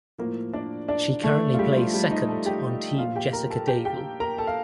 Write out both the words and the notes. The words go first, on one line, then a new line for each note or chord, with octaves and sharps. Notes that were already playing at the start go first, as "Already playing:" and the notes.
She currently plays second on Team Jessica Daigle.
A2 F3 A#3 A#4
D4 D5
D4 D5
A3 A4
F4
G3 G4
F3 F4
G3 G4
D#4 D#5
A4 A5
G4 G5
A#2 F3 F4 F5
G4 G5
A#4 A#5
A4 A5
G4 G5
G4 G5
A#4 A#5
A4 A5
F5